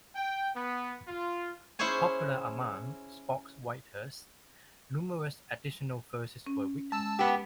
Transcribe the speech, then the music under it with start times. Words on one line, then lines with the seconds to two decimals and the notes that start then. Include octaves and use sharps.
Popular among sportswriters, numerous additional verses were written.
0.15 G5
0.55 B3
1.08 F4
1.79 C#4 E4 G#4 C5 C#5 G#5
6.47 C#4
6.92 G#3 A5 E6
7.19 B3 G4